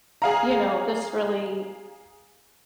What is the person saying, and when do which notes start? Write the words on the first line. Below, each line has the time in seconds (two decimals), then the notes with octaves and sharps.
you know, "this really"
0.22 G#4 F5 A#5